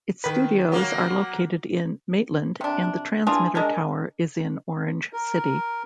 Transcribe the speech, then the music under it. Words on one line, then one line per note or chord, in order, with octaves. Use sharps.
Its studios are located in Maitland and the transmitter tower is in Orange City.
D#3 B4
F#3 A#3
C3 D4
E3 D4 F4 G#4
G#3 D4 A#4
A#4